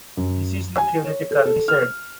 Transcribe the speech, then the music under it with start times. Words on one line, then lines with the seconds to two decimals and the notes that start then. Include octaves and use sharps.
"This is not theoretical", he said.
0.17 F#2
0.78 G#5
1.04 C#5
1.31 A4
1.46 A4
1.68 F6